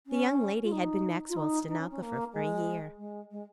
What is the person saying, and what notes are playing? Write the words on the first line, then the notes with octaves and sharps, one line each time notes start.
The young lady had been Maxwell's stenographer for a year.
C#4
F4
D#4
F4
D#4
D#4
C#4
C#4
A#3
G#3
G#3
G#3